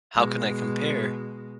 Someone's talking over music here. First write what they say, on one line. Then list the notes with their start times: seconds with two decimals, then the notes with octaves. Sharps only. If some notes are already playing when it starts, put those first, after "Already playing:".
How can I compare?
0.15 B2 G#3